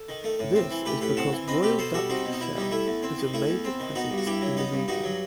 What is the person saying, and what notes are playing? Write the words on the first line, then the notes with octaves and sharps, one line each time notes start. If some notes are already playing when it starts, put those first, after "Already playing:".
This is because Royal Dutch Shell has a major presence in the region.
Already playing: A4
D#3
A3
A2
C4
E3
A3 G4 B4
A2 G4 B4
C4 F#5 A5
E3
C4 B4 D#5
B2 G4 B4
B2 A4 C5
G3 F#4 A4
C4 D#4 F#4
B2
D#4
B2 E4
G3 D#4
A3 E4
E2
C4
D#3
A3 E4
E2
C4
D#3
B3 D#4 F#4
G2
F#4
G2 E4 G4
F#3
B3 D#4
G2
G2 D#4 F#4
F#3